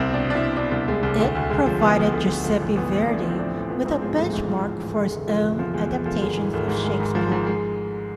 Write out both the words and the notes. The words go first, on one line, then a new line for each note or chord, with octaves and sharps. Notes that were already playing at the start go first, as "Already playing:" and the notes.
It provided Giuseppe Verdi with a benchmark for his own adaptations of Shakespeare.
Already playing: C2 C4
B2 D4
B2
D4
E4
B2
B2 D4
C2
C2 G#3
C2
D2 A3
D2
D2 G#3
F3
D2 B3
D2
D3
D2
F3 A3
A1
A1 B3
A2
A2 D4
F3
C4
A2 D4
A2
F3 B3
G#2 C4
F3 G#3
A1 A3
G#2
F3
A1
A1
A3
D3 G#3
F1
D3 F3
F1
E2 F3
E2 G#3
E2
D3 F3
G#1 G#3
E3
G#1 A3
G#2
G#1 G#3
G#2
G#2 F3
G#2
G#3